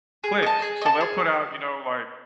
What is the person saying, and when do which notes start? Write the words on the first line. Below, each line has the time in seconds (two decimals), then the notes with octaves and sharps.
clicks, so, they'll put out, you know, like,
0.24 G#4
0.42 D#5 A5
0.62 G#4
0.82 D#5 A5
1.01 G#4